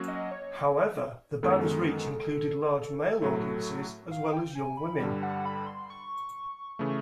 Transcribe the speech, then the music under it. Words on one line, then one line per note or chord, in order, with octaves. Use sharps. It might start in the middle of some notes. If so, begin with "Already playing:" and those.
However, the band's reach included large male audiences as well as young women.
Already playing: F#3 A#3 C#4 F#4
D#5
C#5
F#2 D#3 G#3 B3 A4
A2 F#3 A3 A4
F5
G5
G#5
B5
G2 D3 G3
F#5
B5
C6
C#6
C#3 E3 A3